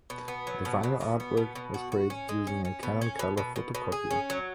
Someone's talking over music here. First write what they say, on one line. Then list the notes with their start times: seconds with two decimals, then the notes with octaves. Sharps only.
The final artwork was created using a Canon colour photocopier.
0.10 B2
0.28 B3
0.47 F#3
0.65 B2
0.83 B2
1.01 B2
1.20 B3
1.37 B2
1.55 B2
1.74 F#4
1.92 F#4
2.10 C#4
2.29 G#3
2.47 C#4
2.65 C#4
2.83 B2
3.02 C#4
3.19 B2
3.38 B2
3.56 B2
3.75 B2
3.92 G#4
4.11 C#4
4.30 F#3